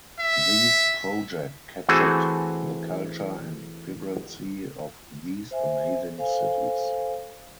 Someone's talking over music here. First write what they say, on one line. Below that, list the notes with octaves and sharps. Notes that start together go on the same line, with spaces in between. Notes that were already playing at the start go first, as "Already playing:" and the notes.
These projects captured the culture and vibrancy of these amazing cities.
E5
E3 A3 C4 F#4 G#4 A4
C5 E5 G#5
A4 C5 F5 G#5